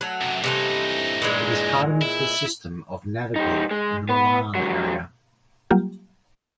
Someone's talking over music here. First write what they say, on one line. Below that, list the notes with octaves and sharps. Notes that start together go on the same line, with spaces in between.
It is part of the system of navigli of the Milan area.
F#3 A3
F#2 C3
G2 C3 E3 A3 D#4
A#2 E3 G#3
E4
G3 D#4
G#3
B3 B4
G#2 F#3
F#3 G3 A#3 F4 G4